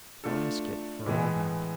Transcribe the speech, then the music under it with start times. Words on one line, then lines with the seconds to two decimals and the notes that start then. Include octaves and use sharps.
'I'll ask it for all that.
0.24 A3 D4 F4 A4
1.06 A2 E3 G#3 B3